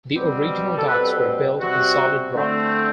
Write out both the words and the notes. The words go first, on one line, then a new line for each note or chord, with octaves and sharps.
The original docks were built on solid rock.
B2 G3 C4
A4
B2 G3 C4 B4
C3 G3 C4 F#4
D3 A3 C4